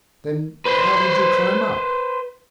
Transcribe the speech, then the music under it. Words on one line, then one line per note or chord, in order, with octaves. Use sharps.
'Then how did you climb up?'
B4 C5